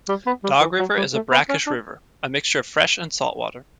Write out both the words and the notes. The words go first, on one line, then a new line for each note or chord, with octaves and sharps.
Dog River is a brackish river - a mixture of fresh and saltwater.
G3
B3
G3
E3
F#3
G3
A3
B3
C#4
D4